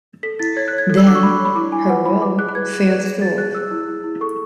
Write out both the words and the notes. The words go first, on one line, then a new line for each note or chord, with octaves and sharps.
Then, her role fell through.
A4 B6
E4 A6
C#5 G#6
F#6
C#5
G#6
A4 F#6
E6
D4 D6
C#6
D4 B5
C#5
B5
E4 D6
E4 G#5
B4 F#5
E4 B5
B4 D6
G#4 F#6
F#6
B4 G#6
G#4
D5
G#4
G#4 A6
G#4 F#6
G#4 E6
E4
E4
E4
A4 C#6